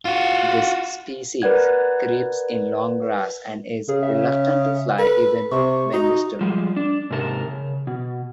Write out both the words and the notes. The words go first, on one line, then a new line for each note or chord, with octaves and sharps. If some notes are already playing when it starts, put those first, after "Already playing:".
This species creeps in long grass, and is reluctant to fly even when disturbed.
F4 F#4
A#4 B4 D5 F#5 G#6
C#3 G#4
E5
A4 B4
C3 C#6
D#4 F#4
F3 G3 G#3
D4
G#2 C3 A#4 A5
C#3
B2